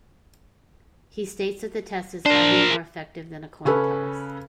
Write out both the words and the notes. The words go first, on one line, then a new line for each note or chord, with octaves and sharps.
He states that the test is hardly more effective than a coin toss.
D4 A#4 C5
C#3 C#4 A4 B4